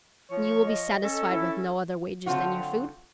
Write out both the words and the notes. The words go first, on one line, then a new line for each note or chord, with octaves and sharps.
"And you will be satisfied with no other wages than your food?"
F3 C#5
C#6
D#5
C#4 A4
E4
D3 F#3 C4 F4 F#4